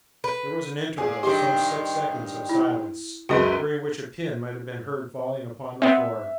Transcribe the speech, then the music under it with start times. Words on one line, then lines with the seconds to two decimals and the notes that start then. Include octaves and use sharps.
There was an interval--some six seconds--of silence, during which a pin might have been heard falling upon the floor.
0.24 B4
0.98 A#2 G#4
1.23 G2 D#3 D#4 G4 C5
2.49 E4
3.29 C#2 F#2 F#4 G#4 B4 D#5
5.82 B3 C4 E5